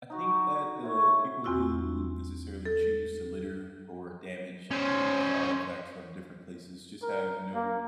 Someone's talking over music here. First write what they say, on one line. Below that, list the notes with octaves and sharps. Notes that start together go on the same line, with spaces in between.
I think that the people who necessarily choose to litter or damage, uh, artifacts from different places just have no
D#4 F#4
E4 C#5
E2 C4 F4 F#4 E6
A4
C#4 C5
A#4
A#3